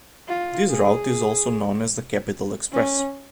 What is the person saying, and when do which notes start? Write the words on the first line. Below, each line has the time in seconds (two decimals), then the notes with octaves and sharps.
This route is also known as the Capital Express.
0.28 F4
0.69 G#4
2.72 C#4